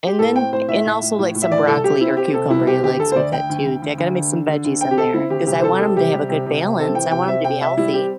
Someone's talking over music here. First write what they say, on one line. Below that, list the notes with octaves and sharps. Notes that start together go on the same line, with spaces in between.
And then and also like some broccoli or cucumber he likes with it too. J I gotta make some veggies in there ‘cause I want him to have a good balance. I want him to be healthy.
G4
A2 A4
C4 G5
A2 C5
A2 E5
A2
A2
A2
A2
E5
E3 D5
C2 A4
C3 G4
C4 E4
C4 G4
C3 A4
C2 E4
C4 G4
D2 G4
D2 A4
C5
D2 D5
D2 G5
D2
D2
D2
D2
D3
D3
D3
D2
C4 G5
G4
C4 A4
C4 E4
D2 G4
C2 G4
C5
C3 A4
G3 A4
C3 G4
G3
C3
C3
C3
C4 A4
E3 G5
C3 G5
C4 E5
C3 G5
C3 E5
G3 E4
C4 G4